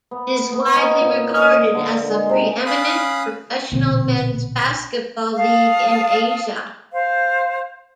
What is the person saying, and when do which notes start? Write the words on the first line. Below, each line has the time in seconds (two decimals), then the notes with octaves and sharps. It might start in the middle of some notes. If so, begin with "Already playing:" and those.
It is widely regarded as the pre-eminent professional men's basketball league in Asia.
0.11 B3
0.51 B3
0.76 D#4
1.00 A#2
1.30 D#5
1.42 D5
1.75 D3
2.10 G#3
2.29 C3
2.66 C#4 F5 B5 D#6 F#6
3.71 A#1 B2 D3 C4
5.37 F5 A5 D#6
6.92 C5 F5